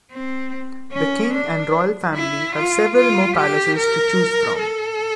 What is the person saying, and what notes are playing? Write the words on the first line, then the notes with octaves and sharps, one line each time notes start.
The king and Royal Family have several more palaces to choose from.
C4
C#4
D4
E4
F4
F4
G4
A#4
A4